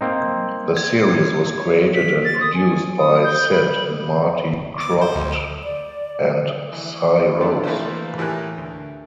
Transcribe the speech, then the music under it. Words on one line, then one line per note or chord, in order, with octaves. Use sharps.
The series was created and produced by Sid and Marty Krofft and Si Rose.
A#3 C4 D#4
G#6
C#5
B6
A6
D#6
G#5
D#6
G6
B5
D6
C5
D2
D5
E3
C4 D4 E4 F4 B4 D5
E3 A3 A#3 B4 C5
A2 E3 G4 A#4 G#5 F#6
D2